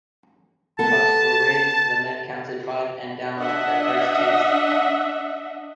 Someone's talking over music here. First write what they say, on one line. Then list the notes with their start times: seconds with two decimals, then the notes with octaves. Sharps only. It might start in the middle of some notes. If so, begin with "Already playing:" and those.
Cups were raised, the men counted five and down went the first taste.
0.79 B3 A4 A5
3.38 D4 D#5 E5 F#5